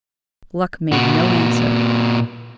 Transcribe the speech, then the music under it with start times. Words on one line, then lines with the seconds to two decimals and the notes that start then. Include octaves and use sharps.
Gluck made no answer.
0.92 A#2 F#4